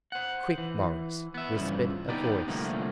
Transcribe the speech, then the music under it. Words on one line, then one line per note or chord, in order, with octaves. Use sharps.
"Quick, Morris," whispered a voice.
C5 F#5
E3
B3 E5
G2 C#3 E3 F3
B3 D#4 G4 D5 G5
C2 A2 D3 F3 A3 A#3